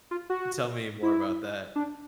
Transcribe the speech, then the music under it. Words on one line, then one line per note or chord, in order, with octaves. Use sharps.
Tell me more about that.
F4
F#4
E4
D4